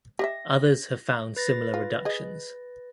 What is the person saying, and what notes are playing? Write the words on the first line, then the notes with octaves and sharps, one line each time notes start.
Others have found similar reductions.
G4 D#5 E5 A#6
B4 A6 A#6
F4
G#4 D#5